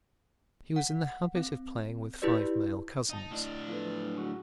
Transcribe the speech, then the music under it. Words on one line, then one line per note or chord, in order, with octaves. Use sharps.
He was in the habit of playing with five male cousins.
F#5
C4
E4 F#4 G4 B4 D5
D#4 D#5 A5
A2 D4
F3 A3 B3
G#3 F#4